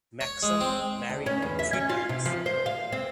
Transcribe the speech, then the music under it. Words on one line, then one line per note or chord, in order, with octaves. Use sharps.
Maxam married three times.
C#5
G#3
C4
D2
C#4
E2
E5
C#4
F4
C3
F3
C5
F5
C4